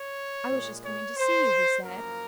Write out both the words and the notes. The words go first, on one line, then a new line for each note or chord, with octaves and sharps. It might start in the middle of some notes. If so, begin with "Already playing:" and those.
"I was just coming to see you," he said.
Already playing: C#5
A#2 G#3
C#5
C5
F#2 F3 A#3 A#4